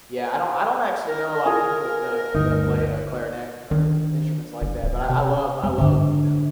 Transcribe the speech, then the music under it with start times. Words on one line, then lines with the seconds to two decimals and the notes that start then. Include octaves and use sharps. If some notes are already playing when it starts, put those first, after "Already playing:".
Yeah, I don't I don't actually know a lot of people that have that play, uh, clarinet or instruments like that, but I I love I love, you know,
1.07 A#4
1.46 F4 G#4 G#5
2.34 G1 D2 D#4
3.71 D#3 D4
4.62 G1
4.82 D#1
5.10 C3
5.63 F2 G#3
5.78 G#2 D3 D4